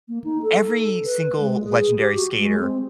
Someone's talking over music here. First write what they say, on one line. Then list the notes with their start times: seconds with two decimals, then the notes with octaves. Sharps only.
every single legendary skater
0.09 A#3
0.24 D#4
0.43 A4
1.05 B4
1.40 G#3
1.64 G#4
1.98 G4
2.15 F#4
2.37 G#3
2.60 C4